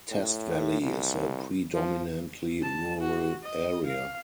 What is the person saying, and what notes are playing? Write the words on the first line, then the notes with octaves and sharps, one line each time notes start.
Test Valley is a predominantly rural area.
A2
C2
F3
A5
F#4
D#5
F5